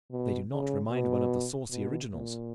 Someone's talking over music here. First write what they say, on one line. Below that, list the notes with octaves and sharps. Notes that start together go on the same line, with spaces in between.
They do not remind one of the saucy originals.
B2
C#3
B2
B2
A#2